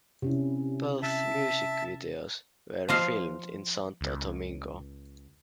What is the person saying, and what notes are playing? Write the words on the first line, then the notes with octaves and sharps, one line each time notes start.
Both music videos were filmed in Santo Domingo.
C3 C#4 E4
E5 A5
F3 D#5 F5
C#2